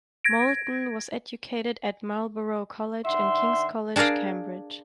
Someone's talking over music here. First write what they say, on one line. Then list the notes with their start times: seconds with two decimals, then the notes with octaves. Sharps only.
Moulton was educated at Marlborough College and King's College, Cambridge.
0.24 G#6 A#6 D7
3.05 D#3 D4 E5 F#5 C6
3.96 D4 G#4 A#4 D5 F5